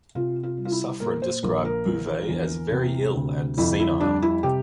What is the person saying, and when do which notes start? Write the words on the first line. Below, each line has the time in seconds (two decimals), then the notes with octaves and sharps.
Suffren described Bouvet as "very ill" and "senile".
0.15 C3 F4
0.43 F4
0.57 G3
0.65 F4
0.72 E4
1.00 A#2 A#4
1.22 C5
1.43 A#1 A#4
1.65 A#4
1.86 E3
2.29 E2
2.71 C3
3.15 D2
3.58 F2 E4
3.79 E4
4.00 G3 D4
4.22 E4
4.43 C3 G4